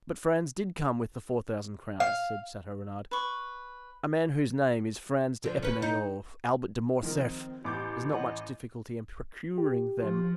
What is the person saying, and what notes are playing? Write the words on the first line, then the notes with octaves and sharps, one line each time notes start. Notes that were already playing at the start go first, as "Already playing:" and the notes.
"But Franz did come with the four thousand crowns," said Chateau-Renaud. "A man whose name is Franz d'Epinay or Albert de Morcerf has not much difficulty in procuring them."
F5
B4 C#6
D3 F3
C#4 B4
D#4
D#3 F3 C4 A#4
A1 B3 G4 D6 G6
B4 C#5 D#5 F#5
G4
F3